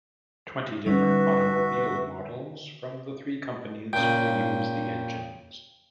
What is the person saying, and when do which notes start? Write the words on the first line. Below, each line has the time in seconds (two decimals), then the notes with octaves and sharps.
Twenty different automobile models from the three companies will use the engines.
0.86 D3 G3 C#4 D#4 F#4 B4 E5
3.93 A#2 C#3 G5